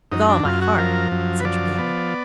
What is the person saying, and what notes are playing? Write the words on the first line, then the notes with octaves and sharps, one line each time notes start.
"With all my heart," said Tregear.
F#2 D#4
D4
F#2 F4
F#4
F3 A#4
F#2
B4
F3 D5
B3